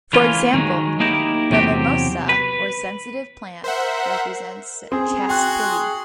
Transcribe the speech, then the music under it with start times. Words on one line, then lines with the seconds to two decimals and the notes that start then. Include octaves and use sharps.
For example, the mimosa, or sensitive plant, represents chastity.
0.13 E3 A3 A#3 C#4 F4
0.54 D#3 F#3 G#3
1.00 A#3 D#4 E4 G4 A#4
1.50 E2 C3 F#3 C4 G4
2.29 B4
3.64 A#4 C5 E5 F#5
4.92 C4 G#4
5.29 F#4 G5 G#5 C6 F#6